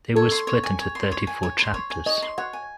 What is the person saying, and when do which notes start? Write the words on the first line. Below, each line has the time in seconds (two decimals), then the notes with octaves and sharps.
They were split into thirty-four chapters.
0.15 A4 C#5
0.31 C6
0.47 C#5
0.64 G#5
0.80 C#5
0.95 C6
1.12 C#5
1.27 G#5
1.43 C#5
1.59 C6
1.74 C#5
1.90 G#5
2.06 C#5 D#5
2.22 C6
2.38 C#5 F#5
2.53 G#5